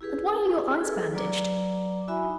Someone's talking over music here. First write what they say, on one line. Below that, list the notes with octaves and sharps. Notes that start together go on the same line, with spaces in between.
'And why are your eyes bandaged?
E4 G4 G#4 B4
G#4 A4 B4
F#3 B4 D5 A#5 D6
E4 F#4 E5 G#5 B5
D#4